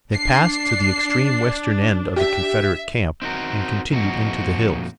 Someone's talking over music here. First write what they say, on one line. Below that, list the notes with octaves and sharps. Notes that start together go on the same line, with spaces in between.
They passed to the extreme western end of the Confederate camp, and continued into the hills.
D4 C7
G4 E5
C4 D#4 F#4 A#4
F2 A#2 D#4 F#4